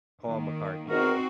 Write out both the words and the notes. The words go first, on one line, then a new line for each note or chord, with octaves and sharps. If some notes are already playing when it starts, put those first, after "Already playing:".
Paul McCartney.
D#3 A#3
E2 G#2 C4 D#4 F#4 A#4